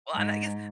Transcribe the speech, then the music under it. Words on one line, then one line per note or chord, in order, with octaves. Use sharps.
Well and I guess
G#2